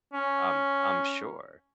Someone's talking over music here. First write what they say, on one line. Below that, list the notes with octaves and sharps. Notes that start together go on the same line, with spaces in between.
I'm I'm sure.
C#4